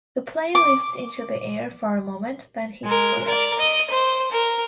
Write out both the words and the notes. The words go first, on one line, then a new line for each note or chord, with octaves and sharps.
The plane lifts into the air for a moment, then hits the water.
D6
G#3 A#4
A#4 D5
D#5
C5
A#4